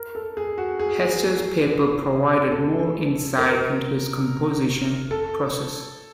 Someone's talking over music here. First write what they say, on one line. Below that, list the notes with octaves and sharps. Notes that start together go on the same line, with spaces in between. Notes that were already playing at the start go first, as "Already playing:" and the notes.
Hester's papers provide more insight into his composition process.
Already playing: A#4
A4
G#4
F#4
G#4
A4
A#4
A4